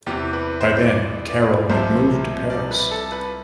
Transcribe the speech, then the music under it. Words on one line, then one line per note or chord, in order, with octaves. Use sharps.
By then, Carroll had moved to Paris.
E2 C3 E3 G4
B4
C5
D5
D5
C2 C3 F3 C5
D5
B4
A4
B4